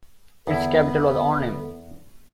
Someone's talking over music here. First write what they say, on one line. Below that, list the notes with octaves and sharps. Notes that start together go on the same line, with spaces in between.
Its capital was Arnhem.
E2 D3 B3 E4